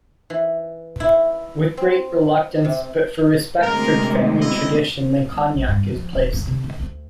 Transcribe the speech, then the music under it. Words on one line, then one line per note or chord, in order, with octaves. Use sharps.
With great reluctance but for respect for family tradition the cognac is placed.
E3
E4
C4
C3
D2 C3 G#3 A#4
B3 E4 D#5
G3
A1
G2
E3
F3
D1
A#3
C3
D3
D2